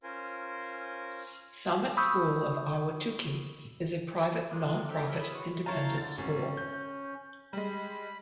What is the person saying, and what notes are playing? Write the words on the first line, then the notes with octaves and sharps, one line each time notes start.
Summit School of Ahwatukee is a private, non-profit, independent school.
C#4 F4 A#4 C5 G#5
B5 C#6 D#6 E6 G6
G#3 F4 A#4 D6 F6 F#6
A#3 E5 D6
D4 D#4 G4 A4 E6 G#6
A2 E3 G3 G#4 A#4 C#5 B5
F4 B5 D#6
F#4 C6
E4 C#5 F5 A5 A#5 G6
D3 A6
G#1 C#4
G6
G3 G#3 B5